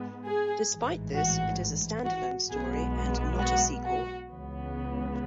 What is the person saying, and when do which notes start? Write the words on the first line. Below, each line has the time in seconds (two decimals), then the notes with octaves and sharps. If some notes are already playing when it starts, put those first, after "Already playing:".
Despite this, it is a standalone story and not a sequel.
Already playing: G#2 G#3 B3
0.25 G#4
0.71 A1 G#2 E3
1.15 F#4
2.05 F#4
2.50 B1 B2 G#3 B3 G#4
3.40 F#4
3.84 F#4
4.29 C#2 C#3 E3 B3